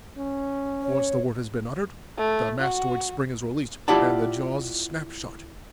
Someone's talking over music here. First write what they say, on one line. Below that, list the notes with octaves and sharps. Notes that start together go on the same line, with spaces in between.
Once the word has been uttered, the mastoid spring is released, and the jaws snap shut.
C#4
C#5
A3
F#4
E4 F4 G4 D5 F#5 A5